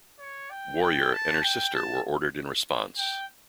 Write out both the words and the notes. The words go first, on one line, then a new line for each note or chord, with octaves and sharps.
"Warrior" and her sister were ordered in response.
C#5
G5
G5
A5
G5
A5
G5